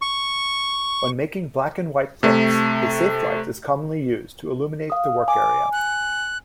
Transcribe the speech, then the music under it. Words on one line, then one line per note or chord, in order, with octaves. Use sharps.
When making black-and-white prints, a safelight is commonly used to illuminate the work area.
C#6
C3 A3
F5 D#6
G#5 D6
F#6